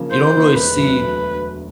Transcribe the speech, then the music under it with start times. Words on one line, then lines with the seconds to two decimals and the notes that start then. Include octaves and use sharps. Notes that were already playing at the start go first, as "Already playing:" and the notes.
you don't really see
Already playing: C#3 F3 A#3
0.11 C#3 C5
0.33 F3 A#3
0.55 E1 B4
0.76 D2 D3 F#3 A3